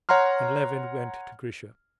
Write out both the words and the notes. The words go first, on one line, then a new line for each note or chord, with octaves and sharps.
And Levin went to Grisha.
C#5 F#5 A#5 C6 F6